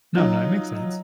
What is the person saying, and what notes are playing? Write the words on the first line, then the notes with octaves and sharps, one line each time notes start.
No, no. It makes sense.
F#3 D#4 F4